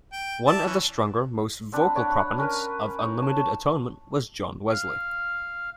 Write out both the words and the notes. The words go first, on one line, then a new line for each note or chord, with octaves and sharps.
One of the stronger, more vocal proponents of Unlimited atonement was John Wesley.
G5
D5 E5 A5
E3 C#4
C4 D4 B4
D4 C#5 D5 F#5
B5
C#4 A#4 B4
D#4 C#5
A5
F5